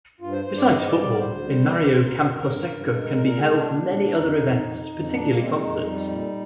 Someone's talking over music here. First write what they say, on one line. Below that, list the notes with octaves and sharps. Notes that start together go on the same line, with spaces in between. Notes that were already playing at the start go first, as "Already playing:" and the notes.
Besides football, in Mario Camposeco can be held many other events, particularly concerts.
G2 F4
C5
G2 C5
D5
G#2 D#5
D5
G3
D5
A#4
D2 C5
G3
D2 D5
D2 C5
A#4
G2
G2
G2
G#3
A#2 A#4
A#4
G#3 G#4
D4
A#2
A#2
F2 D#4
F2
F2
F2
A#2 D4
A#3
G#3
C4
F2 D#4
G3
A#2